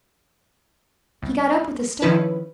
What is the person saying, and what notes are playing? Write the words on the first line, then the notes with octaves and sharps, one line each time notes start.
He got up with a start.
C2
D#3 F3 C#4 E4 B4